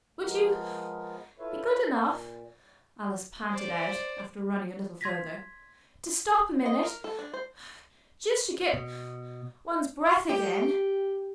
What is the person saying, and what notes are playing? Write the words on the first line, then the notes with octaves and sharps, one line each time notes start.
'Would you--be good enough,' Alice panted out, after running a little further, 'to stop a minute--just to get--one's breath again?'
D2
F3 G#3 B3 A#4
E4 F4 A4 B4 C#5 E5
A#2
C5 D5
C6 G#6 A#6 B6
D#5
A#4
A4
D4
C5
B2
G4